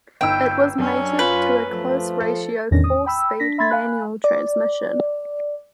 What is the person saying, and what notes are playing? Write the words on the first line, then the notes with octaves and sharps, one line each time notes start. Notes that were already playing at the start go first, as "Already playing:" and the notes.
It was mated to a close ratio four-speed manual transmission.
G1 D#4 B4 G5 E6
F#2 C#4 D4 C#5
F4 B4
F3 A3
A4
E2 A2 D#3 C#4 D4 A#6
D#6
G5 B5 E6
D4 A#6 B6
E5 B5 C6 G#6 A6 B6
F5 G#5 B5 F#6
D5